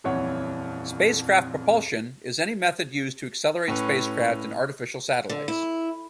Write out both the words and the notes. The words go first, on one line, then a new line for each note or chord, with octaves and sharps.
Spacecraft propulsion is any method used to accelerate spacecraft and artificial satellites.
D#1 F2 E3 C#5 F#5
A2 C#4 B4
D3
E4